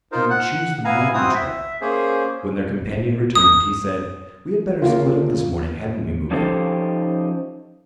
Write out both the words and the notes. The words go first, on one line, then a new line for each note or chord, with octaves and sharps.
He will choose the mountain trail." When their companion returned, he said: "We had better split up this morning, hadn't we, Muky?
D#4 F4 A#4 C5
F#5 F#6
B3 E4 F5 G#5 A#5
C4 E4 F#4 C5 D#6
E5
A#3 C#4 G#4 C5
D#6
D2 C#3 A#3 F4
F3 C#4 D#4 G4 A4 C5